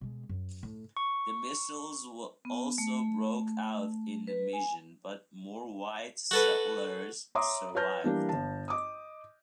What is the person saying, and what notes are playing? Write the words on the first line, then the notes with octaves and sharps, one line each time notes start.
The measles also broke out in the Mission but more white settlers survived.
B2 G#3
F#2
A2
C#6
B3
A3
B4
G#5
F#4 A4 B4
C#5 E5 A#5 C6 D6 D#6
B4 C#5 A5 F6 G6 A#6
E3 G3 A#3 D4
G1 A5
D#5 D6 D#6